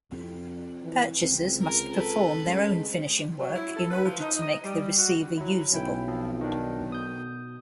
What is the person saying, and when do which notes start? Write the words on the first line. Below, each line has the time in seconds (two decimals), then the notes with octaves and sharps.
Purchasers must perform their own finishing work in order to make the receiver usable.
0.12 F2 C4
0.84 E3
1.23 C#2 C4
1.62 A#4
1.93 A4 B4
2.47 G#3 C#4
3.40 F#3
3.56 E4
3.76 A4
3.91 B4
4.04 F3
4.20 D#4
4.41 D#5
4.64 G3
4.97 F#4
5.37 F#3 E4
5.72 B1 C#4 E4 G5
6.08 F3 C4
6.41 D#3 D4
6.90 B2 D#6 G6